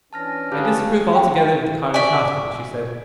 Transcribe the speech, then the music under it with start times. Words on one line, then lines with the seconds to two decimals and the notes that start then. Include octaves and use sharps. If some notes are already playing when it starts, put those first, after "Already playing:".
"I disapprove altogether of the cottage hospital," she said.
0.13 E3 C#4 D4 A5 F6 A#6
0.52 C#3 G4 A5 F#6
1.11 F4 F5 G5
1.94 D5 E5 G#5 C#6